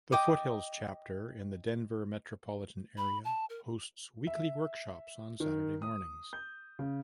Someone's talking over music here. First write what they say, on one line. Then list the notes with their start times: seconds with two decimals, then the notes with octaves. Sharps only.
The Foothills Chapter in the Denver metropolitan area hosts weekly workshops on Saturday mornings.
0.12 D#5 G5 D6 D#6
2.97 B5
3.25 A5
3.50 A#4
4.27 E5
5.40 D#3
5.82 D#6
6.33 G6
6.79 C#3